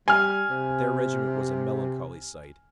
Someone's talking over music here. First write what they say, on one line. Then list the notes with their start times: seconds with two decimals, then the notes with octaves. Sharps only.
But their regiment was a melancholy sight.
0.08 G3 G#5 F6
0.50 C3